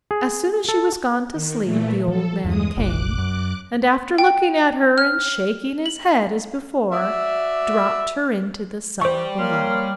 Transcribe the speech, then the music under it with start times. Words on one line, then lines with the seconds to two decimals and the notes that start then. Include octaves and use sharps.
As soon as she was gone to sleep the Old Man came, and, after looking at her and shaking his head as before, dropped her into the cellar below.
0.11 G#4
0.69 A4
1.33 D#3
1.63 A#2 E3 A3
2.08 F3 A4
2.45 E2 G2 G#3 D#6
2.77 F1 A#1 D6 F#6
3.18 F#2
4.18 G5
4.98 F6
5.86 F#7
6.91 F#4 D5 E5
9.01 G3 G4 C5 C#6
9.39 A#3 C#5 C6 F6